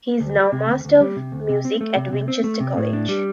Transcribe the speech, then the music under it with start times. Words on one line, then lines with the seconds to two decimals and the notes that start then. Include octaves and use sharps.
He is now Master of Music at Winchester College.
0.20 D2
0.37 G3
0.52 C3
0.68 D2
0.85 D2
1.00 G3
1.16 C3
1.32 D2
1.49 C3
1.65 C4
1.81 A3
1.96 C3
2.13 C3
2.28 C4
2.44 A3
2.60 C3
2.77 A2
2.93 D4
3.09 G3